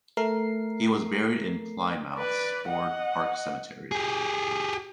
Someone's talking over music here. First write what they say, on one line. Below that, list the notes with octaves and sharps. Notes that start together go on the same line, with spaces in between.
He was buried in Plymouth's Ford Park Cemetery.
A3 A#4 C7
B4 D5
D#5 F#5
G4 G#4